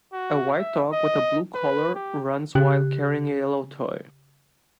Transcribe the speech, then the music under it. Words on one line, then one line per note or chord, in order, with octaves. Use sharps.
A white dog with a blue collar runs while carrying a yellow toy.
F#4
E5
D#5
B4
G4
C#3 G4 F#6